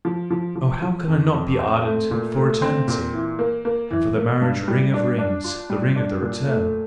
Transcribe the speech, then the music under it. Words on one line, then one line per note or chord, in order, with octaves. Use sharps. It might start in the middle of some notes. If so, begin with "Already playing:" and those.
Oh, how could I not be ardent for Eternity, and for the marriage-ring of rings--the ring of the return?
F3
F3
F3
F3
F2
F2
C4
A3
A#2
A3
C4
A#2
E3
A#3
A#3
E3
A#3
G2
G3
D4
D4
F4
G3
D4
A#2
A3